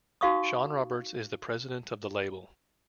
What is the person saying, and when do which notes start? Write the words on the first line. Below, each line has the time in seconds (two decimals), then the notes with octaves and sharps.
Sean Roberts is the president of the label.
0.21 D#4 F#4 F5 C#6 D#6